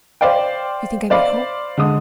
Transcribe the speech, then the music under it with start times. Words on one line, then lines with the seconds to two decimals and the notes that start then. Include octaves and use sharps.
You think I may hope?
0.21 C5 D5 F5 G5
1.10 C5 D5 F5 B5
1.77 D3 G#3 D#6